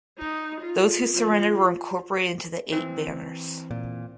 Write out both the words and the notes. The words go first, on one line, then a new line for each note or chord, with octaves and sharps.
Those who surrendered were incorporated into the Eight Banners.
D#4
F4
F3
E3 C4
A#2